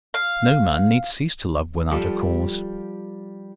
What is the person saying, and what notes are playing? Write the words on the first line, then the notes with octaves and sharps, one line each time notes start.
No man need cease to love without a cause.
F5
F3 G3 A4